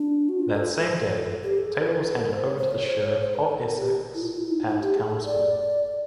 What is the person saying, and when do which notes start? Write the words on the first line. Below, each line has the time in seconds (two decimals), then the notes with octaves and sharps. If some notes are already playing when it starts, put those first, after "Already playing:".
That same day, Taylor was handed over to the sheriff of Essex at Chelmsford.
Already playing: D4
0.29 F#4
0.39 F4
0.55 A4
1.43 G4
1.58 A4
1.66 G#4
1.75 A4
1.87 B4
2.05 A4
2.17 A#4
2.32 C5
2.44 C#5
2.58 C5
2.71 C#5
2.84 C5
3.05 C#5
3.19 C5
3.34 B4
3.49 A4
3.64 A#4
3.78 G4
4.15 E4
4.22 F4
4.32 F4
4.37 E4
4.51 D#4
4.67 D#4
4.82 G4
4.95 G#4
5.11 A4
5.25 D5